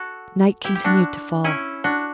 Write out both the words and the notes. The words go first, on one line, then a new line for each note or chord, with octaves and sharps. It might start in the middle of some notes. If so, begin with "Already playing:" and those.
Night continued to fall.
Already playing: F#4 A4
E4 G4
G4
D4 F#4
C#4 E4
D4 F#4